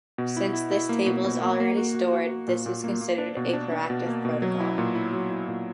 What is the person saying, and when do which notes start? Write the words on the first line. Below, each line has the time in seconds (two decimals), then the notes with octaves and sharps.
Since this table is already stored, this is considered a proactive protocol.
0.18 B2
0.37 E4
0.53 E4
0.71 E4
0.89 A#3
1.06 B2
1.24 B2
1.42 A#3
1.60 A#3
1.77 F#4
1.95 F#4
2.13 F#4
2.31 F#4
2.48 A#2
2.66 A#2
2.84 A#3
3.01 A#3
3.18 D4
3.36 B2
3.53 D4
3.71 D4
3.90 B2
4.07 A#3
4.25 B2
4.42 F#3
4.60 E4
4.78 A#2
4.95 E4
5.13 F#3
5.31 E4
5.48 A#2